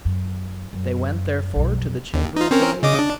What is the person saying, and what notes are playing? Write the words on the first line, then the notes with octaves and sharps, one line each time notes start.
They went therefore to the chamber of the lady.
F#2
F#2
B1 F2
D#2
D#4 F4
C4 C#4 A#4
C#3 D#5 D6
D4